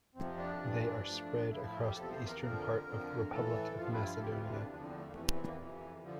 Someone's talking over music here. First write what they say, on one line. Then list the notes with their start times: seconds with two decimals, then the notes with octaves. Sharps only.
They are spread across the eastern part of the Republic of Macedonia.
0.15 F2 C3 F3 C4
0.37 D4
0.60 G2 E3
1.05 A2 F3
1.51 A2 F3 E4
1.66 E4
1.76 F4
1.80 G4
1.96 E2 C3 F3 A4
2.10 C5
2.26 A#4
2.41 F2 D3 F3 A#4
2.86 F2 D3 F3
3.31 A2 E3 A4
3.77 G2 F3 F4
3.92 E4
4.06 F4
4.16 A4
4.22 D2 C3 E3 G4
4.33 G4
4.37 F4
4.52 D4
4.67 E2 D3 F3 D4
4.82 C4
4.97 A3
5.07 A#3
5.12 E2 C3 E3 A3
5.35 C4
5.46 A#3
5.58 F2 C3 E3
6.03 D3 F3